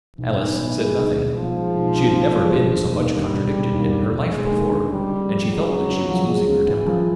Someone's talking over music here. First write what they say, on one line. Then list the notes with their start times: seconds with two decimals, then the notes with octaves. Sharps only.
Alice said nothing: she had never been so much contradicted in her life before, and she felt that she was losing her temper.
0.18 B1 E3
0.38 B1
0.58 B2
0.77 G#3
0.96 B1
1.16 B1
1.36 B2 F3
1.56 G#3
1.75 B1
1.95 B1
2.14 B2
2.34 G#3
2.54 E1
2.74 E1
2.93 D#2
3.13 D3 G3
3.33 E1
3.53 E1
3.73 D#2
3.92 D3
4.12 E1
4.31 E1 G#3
4.51 D#2
4.70 D3
4.90 C#3 G3
5.10 C#3
5.29 F3
5.49 F#3 G#3
5.69 C#3
5.89 C#3
6.09 F3
6.28 G#3
6.48 C#3
6.67 C#3 E3
6.87 F3